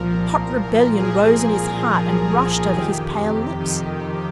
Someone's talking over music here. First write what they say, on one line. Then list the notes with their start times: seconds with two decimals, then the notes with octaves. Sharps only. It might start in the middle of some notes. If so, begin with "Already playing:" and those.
Hot rebellion rose in his heart and rushed over his pale lips.
Already playing: C2 A#2 F3 A#4
0.12 C2 A#2 F3
0.99 C2 A#2 F3 G#4
1.86 C2 A#2 F3
2.73 F2 C3 D#3 G4
3.60 F2 C3 D#3